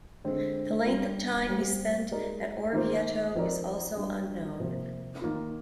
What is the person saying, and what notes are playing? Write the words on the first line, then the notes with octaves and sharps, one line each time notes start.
The length of time he spent at Orvieto is also unknown.
D3 G#3 C4
G3 D4 F4 A#4
G3 C4 G4 C5
G#3 D#4 A#4 D5
D#3 A#3 F4 C5
F3 C4 D#4 A#4 D5
G3 D4 G4
C3 F3 A#3
D#3 A#3 F4